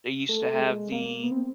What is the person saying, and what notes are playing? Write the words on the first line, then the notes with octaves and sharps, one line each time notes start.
they used to have the,
A3
A3
G#3
A#3
B3
C4